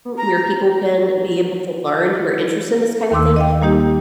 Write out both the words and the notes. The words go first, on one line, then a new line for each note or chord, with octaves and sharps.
where people can be able to learn, who are interested in this kind of thing,
A#5
D#2 D#3 C6 D6 E6
D#5 F5 G5
G3 A#3 D#4 G4